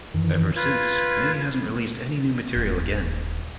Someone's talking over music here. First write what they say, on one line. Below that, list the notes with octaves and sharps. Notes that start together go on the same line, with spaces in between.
Ever since, Mey hasn't released any new material again.
F#2 D#3 E3
F4 B4 G#6
D#1